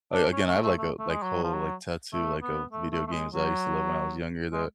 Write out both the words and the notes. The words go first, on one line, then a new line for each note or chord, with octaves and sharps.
a again, I have, like, a like, whole, like, tattoo, like, of video games that I used to love when I was younger that
D4
C#4
A3
A3
A3
A3
G#3
F#3
F3
F#3
A3
B3
A3
A3
A3
G#3
F#3
G#3